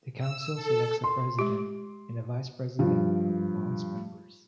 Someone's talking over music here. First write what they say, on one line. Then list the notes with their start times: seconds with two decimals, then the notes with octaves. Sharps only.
The Council selects a President and a Vice President from among its members.
0.19 E6
0.54 A4
1.04 C6
1.39 G#3 G4
2.79 G2 F3